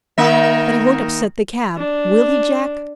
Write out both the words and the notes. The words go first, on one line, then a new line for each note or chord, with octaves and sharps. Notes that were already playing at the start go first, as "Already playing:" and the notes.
"But he won't upset the cab, will he, Jack?"
D#3 A#3 E5
D4